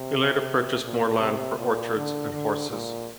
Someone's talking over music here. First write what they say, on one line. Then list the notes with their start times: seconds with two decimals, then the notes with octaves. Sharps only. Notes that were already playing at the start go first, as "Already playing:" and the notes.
He later purchased more land for orchards and horses.
Already playing: C3
0.83 A#2
1.20 C3
1.58 A#2
1.96 D3
2.33 D3
2.70 A#2